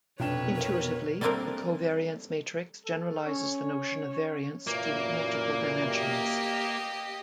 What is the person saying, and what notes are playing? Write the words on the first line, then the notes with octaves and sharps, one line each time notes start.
Intuitively, the covariance matrix generalizes the notion of variance to multiple dimensions.
F1 B2 D4 B4 C#5 G5 E7
A#4
G3 A3 A#3 C4 D4 A#4
A4
C#4 C#5
F#2 A#2 E3 A#3
G4 D#5